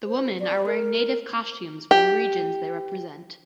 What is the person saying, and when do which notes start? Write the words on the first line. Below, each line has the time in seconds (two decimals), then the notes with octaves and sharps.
The women are wearing native costumes from the regions they represent.
0.06 C5
0.40 D5
0.66 A#4
1.91 G4